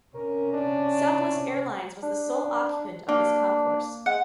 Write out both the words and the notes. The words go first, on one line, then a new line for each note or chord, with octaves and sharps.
Southwest Airlines was the sole occupant of this concourse.
C3 C#4 A#4
D4
D4
A#3 D4
G#3 F#5